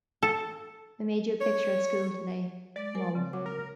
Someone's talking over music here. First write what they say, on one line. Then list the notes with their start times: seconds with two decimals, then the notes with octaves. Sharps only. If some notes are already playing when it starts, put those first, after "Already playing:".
I made you a picture at school today, Mum.
0.23 A4
1.40 C#5
2.76 G#3 D5
2.95 A#4 C5 G#5
3.15 C#3 C4
3.33 F#3 D6
3.46 A#4